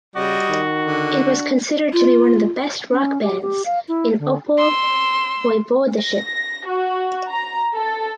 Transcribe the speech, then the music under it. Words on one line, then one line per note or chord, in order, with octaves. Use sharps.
It was considered to be one of the best rock bands in Opole Voivodeship.
C#3 G3 F#4 D#5
D#3
D3
D4
F4
C#4
G4
G4
F5
E4
D3
C6 E6
A#6
F#4
A#5
A4